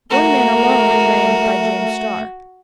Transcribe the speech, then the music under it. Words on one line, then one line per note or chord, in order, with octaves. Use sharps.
One man alone remained by James Starr.
A3 F#4 A#4